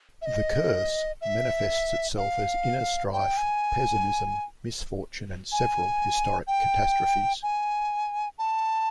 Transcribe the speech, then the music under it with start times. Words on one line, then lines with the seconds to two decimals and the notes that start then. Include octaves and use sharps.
The "curse" manifests itself as inner strife, pessimism, misfortune and several historic catastrophes.
0.22 E5
0.26 D#5
1.21 E5
2.17 F5
3.13 G5
3.37 G#5
5.52 G#5
6.47 G5
7.43 G#5
8.38 A5